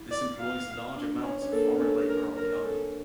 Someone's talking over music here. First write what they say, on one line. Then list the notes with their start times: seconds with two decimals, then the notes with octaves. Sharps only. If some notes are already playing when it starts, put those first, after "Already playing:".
This employs large amounts of foreign labor on the island.
Already playing: E4
0.11 D5
0.40 F5
0.95 D4
1.24 C#4
1.42 C#4
1.52 A#3 A4
1.81 C#4 A4
2.09 A#4
2.36 A#4
2.65 A4